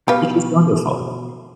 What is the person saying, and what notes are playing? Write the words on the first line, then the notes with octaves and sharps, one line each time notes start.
which was wonderful.
B2 G4 B4 F5